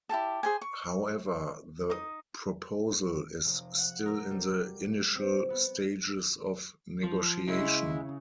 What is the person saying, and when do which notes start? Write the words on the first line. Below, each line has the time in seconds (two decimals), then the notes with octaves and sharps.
However, the proposal is still in the initial stages of negotiation.
0.09 E4 G4 A4 A5
0.43 G#4 C5 G#5
0.61 C#6
1.90 D#4 D#6
3.45 F1
3.78 F#5
4.06 A#4
4.31 G3
5.15 C4
5.50 B3
7.03 F3
7.48 C#3 G#3 E4